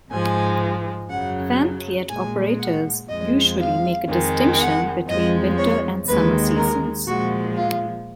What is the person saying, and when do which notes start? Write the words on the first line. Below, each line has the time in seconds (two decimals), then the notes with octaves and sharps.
Phan Thiet operators usually make a distinction between winter and summer seasons.
0.11 G#2 F3 G#3 G#5
1.10 F#2 C#3 F#3 F#5
2.09 A#2 G#3 G#5
2.59 F#5
3.09 F2 F3 G#3 D#5
3.58 F5
4.09 F2 D#3 G#3
4.58 F#5
5.08 F2 F3 G#3 D#5
5.58 C#5
6.07 D#2 D#3 G#3 B4
6.57 A#4
7.06 A#2 F3 G#3 F#4
7.56 F4